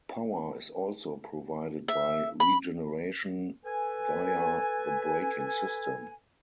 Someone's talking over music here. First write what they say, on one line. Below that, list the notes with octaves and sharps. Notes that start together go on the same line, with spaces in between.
Power is also provided by regeneration via the braking system.
E5
B5
A4 B4 G#5